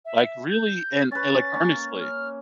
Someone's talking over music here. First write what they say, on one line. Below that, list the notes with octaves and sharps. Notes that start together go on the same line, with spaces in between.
Like, really, and and like earnestly,
E5
G6
C#4 B4 A6
A#3 C#4
F6